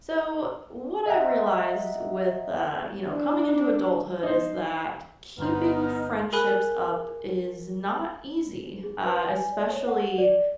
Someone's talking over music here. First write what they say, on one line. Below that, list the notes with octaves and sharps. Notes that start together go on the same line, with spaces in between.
So, what I've realized with, uh, you know, coming into adulthood is that keeping friendships up is not easy- uh, especially
D#5 E5 F#5 A#5
D4
D#4 C5
G1 B3 D#4 C5 A#5 F6
G#4 A#4 G#5 B5 F#6
G#4
B4
G#5
D5
C#5
F#5
D5